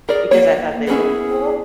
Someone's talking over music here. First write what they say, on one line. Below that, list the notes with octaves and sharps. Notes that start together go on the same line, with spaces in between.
just because I thought they looked cool.
G#4 A#4 D5
A#3 C#5
B3 C#4 E4 G#4